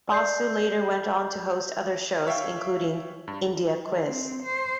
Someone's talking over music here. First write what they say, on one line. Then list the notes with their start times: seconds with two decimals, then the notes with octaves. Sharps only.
Basu later went on to host other shows, including "India Quiz".
0.12 D5 G6 C7
2.27 C#5 E5 F5 G5
3.28 G2
4.06 C4
4.43 C5